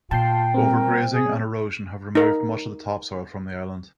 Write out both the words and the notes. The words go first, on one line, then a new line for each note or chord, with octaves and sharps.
Overgrazing and erosion have removed much of the topsoil from the island.
A#2 F4 G5 A5 G6 C7
G3 C4 A#4
G#4
D#4 A#4